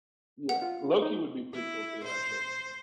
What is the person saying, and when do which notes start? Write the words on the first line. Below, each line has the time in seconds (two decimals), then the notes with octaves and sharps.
Yeah, Loki would be pretty cool too, actually.
0.49 F#5
0.62 F4
1.02 D#4
1.54 E4
2.04 C5